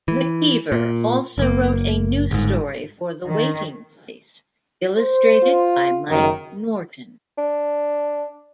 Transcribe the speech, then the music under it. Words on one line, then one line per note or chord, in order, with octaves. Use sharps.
McKeever also wrote a new story for "The Waiting Place" illustrated by Mike Norton.
E3
A#2
F#1 A#3
G1 G#2
D#3
C5
F4
F#1 F#2 D#3
D4